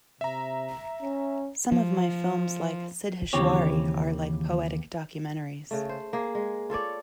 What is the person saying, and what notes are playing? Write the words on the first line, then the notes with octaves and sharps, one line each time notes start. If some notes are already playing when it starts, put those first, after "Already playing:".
Some of my films like "Siddheshwari" are like poetic documentaries.
C3 E5 A#5
C#4
F3
D#2 C#3 E3 C4 G4 C#5
C#3 A3
C5
A#3 G#4
G#3
F4 A4 C#5 D5